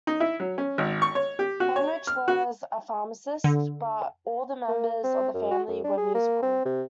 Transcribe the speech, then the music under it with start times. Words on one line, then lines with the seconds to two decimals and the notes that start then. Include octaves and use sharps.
Heinrich was a pharmacist, but all the members of the family were musical.
0.07 D#4
0.20 E4
0.40 F#3
0.58 C#4
0.78 G#1
1.02 C#6
1.15 C#5
1.39 G4
1.60 F#4
1.76 C#5
2.07 F6
2.28 F#4
3.44 D3
4.68 A#3
5.04 C4
5.34 F#2
5.51 F#4
5.68 F#2
5.84 D4
5.98 G#4
6.15 A#3
6.43 C4
6.65 C3